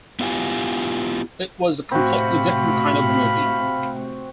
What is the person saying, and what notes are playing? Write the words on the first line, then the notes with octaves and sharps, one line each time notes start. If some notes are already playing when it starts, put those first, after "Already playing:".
It was a completely different kind of movie.
B3 E4 F4 G4 G#5
A2 C3 C4 F#4 F5 B5